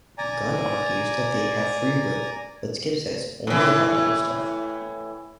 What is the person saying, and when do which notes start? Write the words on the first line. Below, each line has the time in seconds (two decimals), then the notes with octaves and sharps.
Gunn argues that they have free will, but Skip says only about little stuff.
0.18 D5 G#5 A#5
3.47 A2 E3